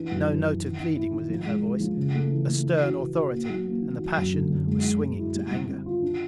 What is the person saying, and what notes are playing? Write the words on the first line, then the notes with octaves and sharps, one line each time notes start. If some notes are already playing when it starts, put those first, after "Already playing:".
No note of pleading was in her voice: a stern authority, and the passion was swinging to anger.
Already playing: E3 D4
F#2
E3
E3
D#3
D#3
E4
D#3
F3
G#3
G#3
F3
C#3
A3
E3
A3
E3
F#4
E3
F#4
A#3
F#3
A#3
D#3
F#3
F#2
D3
F#2
G#3
G#3
G#3
E4
G3
G3
C4
F4
D4